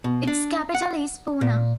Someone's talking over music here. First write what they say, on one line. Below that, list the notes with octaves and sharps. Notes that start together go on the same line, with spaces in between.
Its capital is Puna.
B2
D4
F#5
A#2